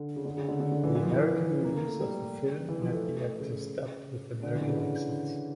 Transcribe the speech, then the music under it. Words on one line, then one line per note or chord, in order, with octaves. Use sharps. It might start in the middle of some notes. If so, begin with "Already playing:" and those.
The American release of the film had the actors dubbed with American accents.
Already playing: D3
C#3
D3
C#3
D3
D3
D3
E3
E3
F3
E3
A#3
A#3
A3
G3
E3
F3
A3
A3
A3
C#3
D3
E3
D3
C#3
D3